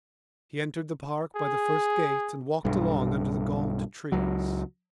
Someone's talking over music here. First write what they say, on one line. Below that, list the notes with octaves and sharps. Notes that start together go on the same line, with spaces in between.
He entered the Park by the first gate and walked along under the gaunt trees.
G#4
B1 G2
C#2 F#3